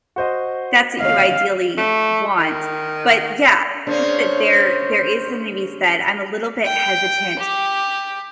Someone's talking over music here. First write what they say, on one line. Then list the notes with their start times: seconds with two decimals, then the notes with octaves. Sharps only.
that's what you ideally want, but yeah, think that there there is something to be said I'm a little bit hesitant
0.16 F#4 C5 D#5
1.01 C#5 D#5 F5
1.78 A3
2.38 D#3
3.87 C#3 A#3 C#4 D4 C5
6.66 G5
7.39 G4